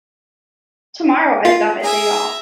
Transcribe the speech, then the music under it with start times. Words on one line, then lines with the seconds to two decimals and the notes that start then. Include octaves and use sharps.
Tomorrow I’ve got a day off.
1.45 F4
1.82 G#4 E5 G#5 A#5